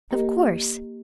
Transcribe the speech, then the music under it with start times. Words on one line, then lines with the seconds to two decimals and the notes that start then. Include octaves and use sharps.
"Of course!"
0.11 A#3 G4 A#4 D#5